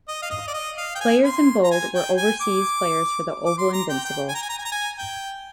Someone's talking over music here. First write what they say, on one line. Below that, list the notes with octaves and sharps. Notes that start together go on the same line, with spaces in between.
Players in Bold were overseas players for the Oval Invincibles.
D#5
F5
D#5
D5
D#5
F5
G5
G#5
C6
A#5
G#5
G5
G#5
D6
D6
C6
A#5
G5
G5
G#5
A#5
G#5
A#5
G#5
A#5
G#5
G5